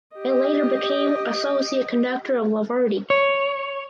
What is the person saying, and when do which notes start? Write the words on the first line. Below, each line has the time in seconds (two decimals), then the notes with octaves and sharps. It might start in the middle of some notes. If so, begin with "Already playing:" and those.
He later became associate conductor of La Verdi.
0.16 G4 D#5
3.10 C#5